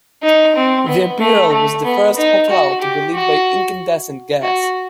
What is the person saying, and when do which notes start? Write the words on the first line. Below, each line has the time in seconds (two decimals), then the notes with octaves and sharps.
The Imperial was the first hotel to be lit by incandescent gas.
0.23 D#4
0.56 C4
0.88 B3
1.20 A3
1.52 A3
1.85 B3
2.17 D#4
2.50 F#4
2.81 G4
3.13 F#4
4.43 F#4